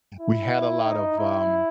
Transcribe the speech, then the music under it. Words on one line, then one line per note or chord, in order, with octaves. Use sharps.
we had a lot of, um,
E4
D#4
E4